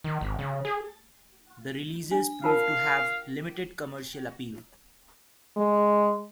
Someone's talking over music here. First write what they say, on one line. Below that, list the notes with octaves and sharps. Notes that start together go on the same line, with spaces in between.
The releases proved to have limited commercial appeal.
D#3
G#1
C#3
G#4
D4
F4 A#4 F5 A5
G#3